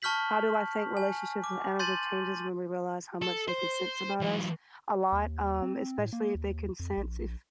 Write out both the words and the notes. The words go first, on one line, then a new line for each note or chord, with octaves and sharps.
How do I think relationships with animals changes when we realize how much they can sense about us? A lot, um, especially if they can sense if,
A5 C#6 F6 G6 B6 F#7
G#5
D6
C6 G6 A6 D#7 F#7
A4
C5
E3 F#3
D#2
C4
A2
A#3
D#2
F2
A#1